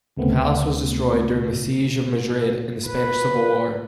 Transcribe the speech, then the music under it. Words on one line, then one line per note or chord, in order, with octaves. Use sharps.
The Palace was destroyed during the Siege of Madrid in the Spanish Civil War.
D2 C#3 A3 B3 C4
B4